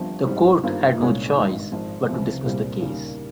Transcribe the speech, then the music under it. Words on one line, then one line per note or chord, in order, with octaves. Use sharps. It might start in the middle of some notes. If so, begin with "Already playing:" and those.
The court had no choice but to dismiss the case.
Already playing: G1 G2 F3 C4
G#2 G3 C4
G2 D#3 A#3 F4 C5
C2 A#2 G#3 C#4
G#1 G2 D#3
G#1 G#2 F3
C#2 C3 F3
C2 A#2 G3 C4
D#2 C#3 G3 A#3